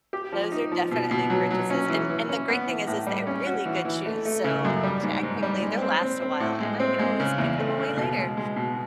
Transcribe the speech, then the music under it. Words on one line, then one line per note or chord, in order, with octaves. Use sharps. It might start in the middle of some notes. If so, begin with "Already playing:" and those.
Those are definitely purchases, and and the great thing is, is they're really good shoes, so technically, they'll last a while and I could always give them away later
G4
F3
D#4
F3
B2
B2
F#3
F#3
C#4
E3
E3
C#4
B3
E3
A2
G3
C#4
F#4
E3
E3
A3
A3
C#3
F#2
G3
G#2
G#2
G3
G#3
C4
C4
C4
A2
G#3
C4
G#3
C#3
E2
A3
C#3
B2
G#3
G#3
B2